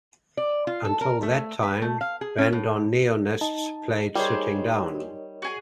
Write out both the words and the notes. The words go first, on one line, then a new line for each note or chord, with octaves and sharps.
Until that time bandoneonists played sitting down.
D5
F4
A4
A#4
A3
B4
A3
F5
G#4
C#4
A2
D#4 A5
G3 G#4 A#4 C5 C#5 D#5
F#4 G#4 G#5